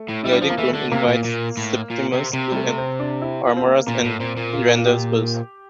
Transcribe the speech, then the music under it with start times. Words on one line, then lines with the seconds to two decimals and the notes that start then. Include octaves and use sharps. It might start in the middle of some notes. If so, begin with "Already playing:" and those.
Lady Croom invites Septimus to an amorous rendezvous.
Already playing: A3
0.09 A2
0.24 G3 E4
0.32 D4
0.41 F3 C4
0.50 A#3
0.58 E3 A3
0.75 D3
0.92 C3 A#3
1.08 A#2
1.25 A#2
1.57 A2
1.90 A#2
2.12 C3
2.33 C3
2.52 G3
2.56 A3
2.78 C4
3.00 D4
3.22 E4
3.44 F4
3.57 C4
3.66 A#3
3.87 A#2 A#3
4.04 A2
4.20 A#2 C4
4.37 A#2
4.53 F4
4.78 F4
4.86 G4